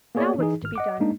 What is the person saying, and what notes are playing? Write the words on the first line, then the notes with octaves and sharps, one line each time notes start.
Now what's to be done?
A#3 B3 G#4 C#5 D5
E3 D#4 G#4
G#1 F6
D#5 F#5 D6
G#3 A#3 D4 D#4